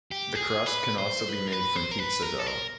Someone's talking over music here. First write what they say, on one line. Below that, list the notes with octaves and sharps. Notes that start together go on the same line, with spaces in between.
The crust can also be made from pizza dough.
G4
G#4
B4
C5
B4
A#4
B4
C5
A#4
B4
A#4
A4
A#4